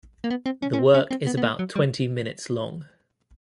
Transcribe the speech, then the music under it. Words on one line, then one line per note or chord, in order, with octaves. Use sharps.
The work is about twenty minutes long.
A#3
B3
C4
C#4
C#4
C4
C#4
C4
B3
B3
A#3
F#3
G3